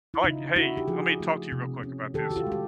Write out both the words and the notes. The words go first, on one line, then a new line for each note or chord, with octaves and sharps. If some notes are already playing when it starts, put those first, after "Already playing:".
I like, "Hey, let me talk to you real quick about this.
E4
C#3 D#4 F4
D4 E4 F#4
G4
F3 F#4 G#4
A3
C3
C#4
D#3 G4 A4
F#4
F4 G4
G#3
G4